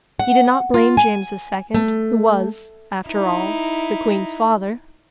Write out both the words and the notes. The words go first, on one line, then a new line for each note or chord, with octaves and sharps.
He did not blame James II., who was, after all, the queen's father.
F#5
F4
G#5
A3
D#4 E4